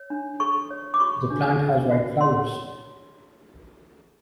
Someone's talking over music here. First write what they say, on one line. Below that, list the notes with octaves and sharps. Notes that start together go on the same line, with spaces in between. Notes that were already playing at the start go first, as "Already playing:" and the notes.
The plant has white flowers.
Already playing: C#5
D4
A4 C#6
C#5
D6
F#4 C#6
D4
D4
F#4
C#5 C6